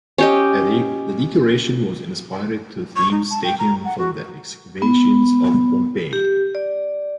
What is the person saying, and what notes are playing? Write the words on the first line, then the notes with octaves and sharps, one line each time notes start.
The decoration was inspired to themes taken from the excavations of Pompeii.
C#4 G4 D#5
C#6
D#4
A5
G5
A#5
F#5
F#4
B3
G4
D5